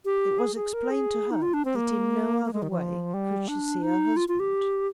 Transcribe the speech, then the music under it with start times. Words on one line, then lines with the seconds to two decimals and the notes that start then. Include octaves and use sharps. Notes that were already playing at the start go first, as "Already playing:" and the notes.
It was explained to her that in no other way could she see her husband.
0.05 G4
0.39 G#4
0.56 G#4
0.73 A#4
0.91 G#4
1.31 D#4
1.42 F4
1.54 D4
1.65 C4
1.76 A#3
2.45 A#3
2.53 G#3
2.62 D#3
2.71 F3
3.14 G3
3.48 D4
3.83 D#4
4.17 F4
4.28 F4
4.40 G4